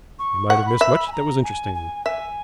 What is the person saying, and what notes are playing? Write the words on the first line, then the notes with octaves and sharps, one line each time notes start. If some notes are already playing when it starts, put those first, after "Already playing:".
We might have missed much that was interesting.
C#6
F#5
B5
E5
G#5
A#5
G#5
G#5
E5 G#5